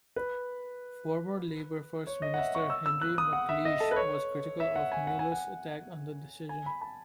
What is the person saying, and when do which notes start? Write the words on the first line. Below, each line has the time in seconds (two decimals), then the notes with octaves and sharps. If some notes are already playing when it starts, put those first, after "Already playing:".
Former Labour First Minister Henry McLeish was critical of Mueller's attack on the decision.
0.16 B4
2.07 C#5
2.22 D#5
2.34 F#5
2.38 E5
2.55 C#6
2.70 E6
2.86 E6
3.01 F#6
3.18 D#6
3.33 F#5
3.49 E5
3.65 D#5
3.80 A4
3.91 B4
3.96 C#5
4.60 E5
4.76 F#5
4.92 G#5
5.07 F#5
5.19 G#5
5.32 F#5
6.49 G#5
6.66 B5
6.81 A5